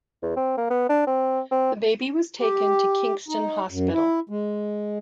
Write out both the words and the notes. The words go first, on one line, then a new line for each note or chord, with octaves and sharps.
The baby was taken to Kingston Hospital.
E2
C4
A#3
B3
D4
C4
C4
G4
D#4
F#2
E4
G#3